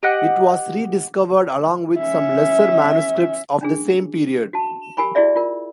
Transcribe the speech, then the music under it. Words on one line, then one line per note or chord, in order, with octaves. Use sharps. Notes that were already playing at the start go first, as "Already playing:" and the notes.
It was rediscovered along with some lesser manuscripts of the same period.
G4 D#5 F#5 F#6
C#4 E5
C#4 D4 G#4
F#4 A5
G4 A#4 G#5 B5 C#6
E4 F#4 G#4 D5 E5
F4 A#4